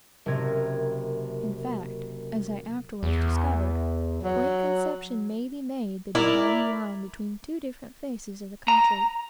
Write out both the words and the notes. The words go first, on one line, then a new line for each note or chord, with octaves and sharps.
In fact, as I afterwards discovered, Point Conception may be made the dividing line between two different faces of the country.
F#1 C3 A#4 G#6
E2
F#3
E4 A#4 D5
A#5